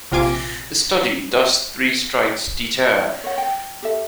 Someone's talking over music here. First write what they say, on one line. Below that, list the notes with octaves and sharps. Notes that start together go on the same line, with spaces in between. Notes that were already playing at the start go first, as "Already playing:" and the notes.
A study, Does Three Strikes Deter?
A#1 C3 F4 G#5 D6 D7
C#5 F#5
G5
G4 A4 E5